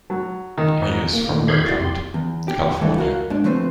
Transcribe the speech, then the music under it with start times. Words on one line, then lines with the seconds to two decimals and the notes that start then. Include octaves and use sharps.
He is from Oakland, California.
0.10 F#3
0.58 D#3
0.82 G#2
1.13 A#3
1.30 A#2 D#3 A3
1.48 D#3 G#4 F5 B5 G6 G#6
1.64 E4 F#4 D5
1.79 F2 G4 C6
2.14 E2
2.48 G4
2.81 G2 E3 A3 A4
2.98 F#4 A#4 F5
3.30 G#2 D4
3.44 F3 A3 C4 B4 C5